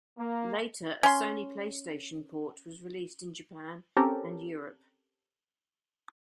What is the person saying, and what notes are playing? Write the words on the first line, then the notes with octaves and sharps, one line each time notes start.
Later, a Sony PlayStation port was released in Japan and Europe.
A#3
C#4 C6
C4 C#4 G4 A4 A#4